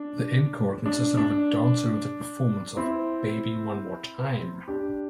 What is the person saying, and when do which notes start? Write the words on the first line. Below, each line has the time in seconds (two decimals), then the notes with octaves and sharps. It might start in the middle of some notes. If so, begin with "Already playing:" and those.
The encore consisted of a dance-oriented performance of "...Baby One More Time".
Already playing: D4
0.86 D4
1.17 D4
2.77 C4 E4
4.68 D4 G4